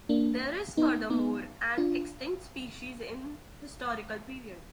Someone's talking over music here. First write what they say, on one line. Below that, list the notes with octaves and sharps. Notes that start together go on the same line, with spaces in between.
There is furthermore an extinct species in historical period.
A#3 D4
B3 D#4
B3 D#4
D4 F4